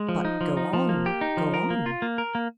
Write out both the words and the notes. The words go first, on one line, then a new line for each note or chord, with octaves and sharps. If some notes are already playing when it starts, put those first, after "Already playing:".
But go on, go on.
Already playing: G#3
F3
D#4
F3
D#4
F3
A#3
G4
D#4
F3
A#4
A#3
F4
A#3
A#4
A#3